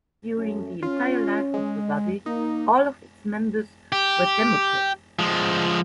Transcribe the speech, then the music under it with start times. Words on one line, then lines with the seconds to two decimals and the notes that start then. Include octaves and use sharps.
During the entire life of the body, all of its members were Democrats.
0.36 F#2 A3 C#4
0.83 C#4 F4
1.54 G#3
2.26 A#3 D#4
3.92 G4
5.19 F3 G#3